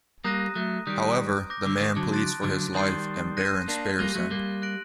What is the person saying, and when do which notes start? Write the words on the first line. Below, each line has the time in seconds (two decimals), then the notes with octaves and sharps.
However, the man pleads for his life and Baran spares him.
0.24 G3 A#3 A#5 D#6 F#6 A#6 D#7
0.55 F#3 A3
0.86 D#3 G3 D#6 G6 D7
1.50 D6 G6 A#6
1.65 D3
1.80 D#3
1.96 D3 F#3
2.12 A5 C6 F#6 A6 D7
2.43 D3 F#3
2.74 D#3 G3 C6 D#6 G6 C7 G7
3.37 F#6 A#6 D#7
3.68 A#3 D4
3.99 G3 A#3 F#6 A#6 D#7
4.15 F#3 A3
4.31 G3 A#3
4.62 F#6 A#6 D7 F#7